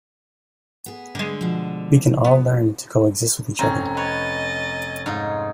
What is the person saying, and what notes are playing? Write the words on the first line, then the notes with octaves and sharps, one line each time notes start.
We can all learn to coexist with each other.
B3 G#4
D3 G#3
B2 F3
B3
F1 C4 C#4 A#5
B4 C#5 D#5 A6
G#2 D#4 F4